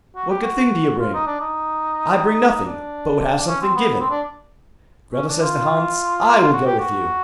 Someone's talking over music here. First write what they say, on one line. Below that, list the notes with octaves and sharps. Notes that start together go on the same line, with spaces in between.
What good thing do you bring?' 'I bring nothing, but would have something given.' Gretel says to Hans: 'I will go with you.'
F#4
G4
F#4
F4
D#4
D4
D#4
D4
C#4
C4
B3
B3
C4
D4
C#4
D4
F4
F4
F#4
G4
F#4